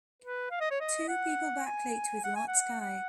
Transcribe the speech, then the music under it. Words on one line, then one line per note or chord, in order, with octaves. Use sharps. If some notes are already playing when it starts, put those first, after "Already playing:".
Two people backlit with light sky.
B4
F5
D#5
C#5
D#5
F#5
G#5
F#5
G#5
F#5
F#5